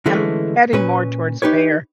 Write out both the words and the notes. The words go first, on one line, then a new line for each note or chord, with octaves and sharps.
I'm heading more towards bear.
D3 E3 G#3 A3 C#4
A#2 C#4 B4
D#4 G4 B4 C#5